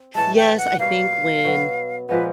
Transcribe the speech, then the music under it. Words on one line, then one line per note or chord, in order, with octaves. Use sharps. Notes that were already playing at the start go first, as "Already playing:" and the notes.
Yes, I think when,
Already playing: C4
A2 E3 G#3 A5
G5
F#5
B2 G3 A#3 F5
B2 F#3 B3
A#2 F3 G#3 B3 B4